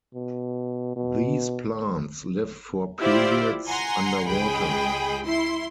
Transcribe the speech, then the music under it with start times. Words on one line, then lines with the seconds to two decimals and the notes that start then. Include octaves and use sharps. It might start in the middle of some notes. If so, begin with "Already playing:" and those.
These plants live for periods underwater.
0.15 B2
0.96 B2
3.00 E4 F4 G4 C5 D5
3.68 F#5 G#5 A#5 C6
4.27 C#2 G#3 G#4 G5 B5
5.24 E4 C6